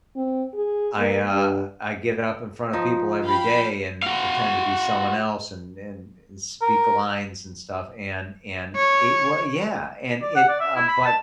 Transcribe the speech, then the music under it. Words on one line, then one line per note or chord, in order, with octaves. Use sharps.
I, uh, I get up in front of people every day and pretend to be someone else an an and speak lines and stuff, and and it wa Yeah, and it uh, but
C4
G#4
A#3
G2
F3 D#4
F5 G5 B5
F#4 F5
A#4
C#5
D5
F#5
D5
E5
E4
B5
A5